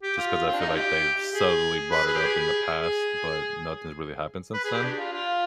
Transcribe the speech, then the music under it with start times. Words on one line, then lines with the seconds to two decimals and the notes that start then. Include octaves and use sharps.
just 'cause I feel like they've subtly brought it up in the past, but nothing's really happened since then
0.03 G4
0.17 F4
0.48 C4
0.54 D4
0.61 D#4
0.68 F4
0.75 G4
1.33 G#4
1.91 B4
2.07 G#4
2.16 G4
2.24 G#4
2.79 G#4
4.54 B4
4.64 G#4
4.74 G4
4.84 D4
4.98 F4
5.13 F4